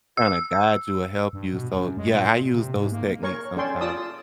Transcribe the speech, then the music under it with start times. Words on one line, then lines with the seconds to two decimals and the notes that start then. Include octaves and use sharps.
kinda guide you or help you, so, yeah, I use those techniques sometimes.
0.17 E6
1.33 G2
1.53 B2
1.75 F#2
1.97 G#3
2.15 A#2
2.54 C3
2.76 G#2
2.92 A#3
3.23 A#4 C#5 C#6
3.57 C#4 A4 D5 G5 C6
3.81 F4 D5 A5 D#6 E6